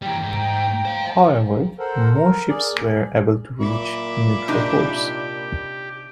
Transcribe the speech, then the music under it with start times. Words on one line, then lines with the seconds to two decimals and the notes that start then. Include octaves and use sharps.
However, most ships were able to reach neutral ports.
0.02 E3 G3 G5 A#5
0.23 G#2
0.85 C5 F5
1.79 A4 A#4 C5 F#5
2.14 A#4
2.50 G#4 D5
2.72 D#2 G#4
3.61 A#2 E5 B5 D6
4.48 C3 D4 D#4 G4